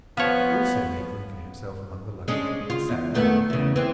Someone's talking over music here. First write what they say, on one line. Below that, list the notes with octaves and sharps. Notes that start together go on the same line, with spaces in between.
He also made room for himself among the luggage and sat down.
F3 B3 C#5
G#3 C#4 D4
F4
E2
D#3 A3 B3
E2 C#3
E3 C4